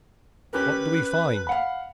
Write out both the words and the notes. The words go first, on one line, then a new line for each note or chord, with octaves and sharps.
What do we find?
C#4 G4 A#4 B4
F5 F#5 B5